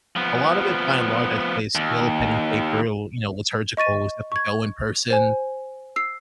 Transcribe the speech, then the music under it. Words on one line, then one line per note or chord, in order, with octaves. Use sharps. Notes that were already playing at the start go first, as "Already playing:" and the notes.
a lot of it, by and large, I'd say is still pen and paper or, you know, liturgical, we still have to go in person,
F3 B3
D#2
D#5 C#6 A6 D#7
C#6 G#6
C5 G#5
E6 C7